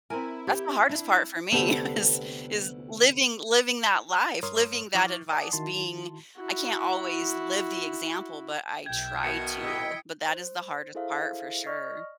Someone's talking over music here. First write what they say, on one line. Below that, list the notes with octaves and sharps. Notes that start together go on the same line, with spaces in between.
That's the hardest part for me, is is living living that life, living that advice, being I can't always live the example, but I try to, but that is the hardest part, for sure.
C4 E4 A#4 G#5
G4
D4
D2 C3 B3 G4 A4
G2 A#4 C#5 C6 D#6 F6
F3 E4 C#6 D6 F6 A6
D5 F#5 G#5 A5 D6 D#6
D#3 E4 F#4 A5 C6
E4 F#4
B1 E5 G5 G#6
B2 D#3 C#7
E4 D#5 G5
C5
E4 G#4 A4 C5 E5 F5
D5 D#5 C#6 F6 A#6